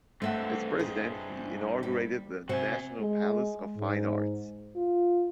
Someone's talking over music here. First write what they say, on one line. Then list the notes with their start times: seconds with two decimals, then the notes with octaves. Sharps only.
As president, he inaugurated the National Palace of Fine Arts.
0.22 G2 A3 C4 E5 F#5
0.79 G#4
1.83 G3
2.49 C3 C4 F#4 G#5
3.00 G#3
3.77 G#2
4.76 F4